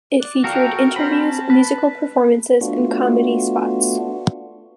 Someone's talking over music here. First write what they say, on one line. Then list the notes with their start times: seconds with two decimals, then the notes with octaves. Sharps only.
It featured interviews, musical performances and comedy spots.
0.20 D5 F#6
0.44 F#4 A4 A#4 F5 G5
0.78 F6
0.96 C4 C#4 C5 A#5 B5
1.13 A5
1.50 B4
2.61 A3 B3 D4 F4 F#4